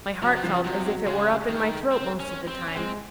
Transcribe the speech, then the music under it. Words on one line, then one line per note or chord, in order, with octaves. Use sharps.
My heart felt as if it were up in my throat most of the time.
C#3 F#3
C3
F3
C#3
C3 F#3
F#3
C#3 G#3
D#3
C4
C#4
C4
C#4
G#3 C4